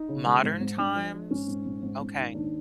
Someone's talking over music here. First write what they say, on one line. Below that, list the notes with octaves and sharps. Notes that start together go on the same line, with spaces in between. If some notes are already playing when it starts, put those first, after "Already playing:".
modern times? Okay.
Already playing: D#4
C#3
G#3
G#2
G#2
G#2 D4
F3
F3
G#2 C#4
G#2
G#2
G#2
G#2
D#3
D#2 D4